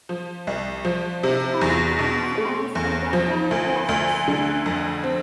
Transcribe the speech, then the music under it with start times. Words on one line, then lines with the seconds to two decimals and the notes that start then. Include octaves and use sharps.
It commonly runs as a background process.
0.09 F3
0.47 C2
0.85 F3
1.23 C3
1.61 E2
1.99 B2
2.38 A3
2.75 E2
3.13 F3
3.51 D2
3.89 D2
4.28 D3
4.66 F2
5.03 C4